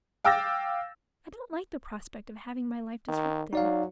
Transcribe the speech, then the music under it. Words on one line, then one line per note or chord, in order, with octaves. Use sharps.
I don't like the prospect of having my life disrupted.
F5 G5 D6 E6 A6 A#6
D#3
F#3 D#4 D5 F5